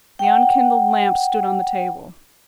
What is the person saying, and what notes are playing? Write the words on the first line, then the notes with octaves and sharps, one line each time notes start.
The unkindled lamp stood on the table.
F#5 G5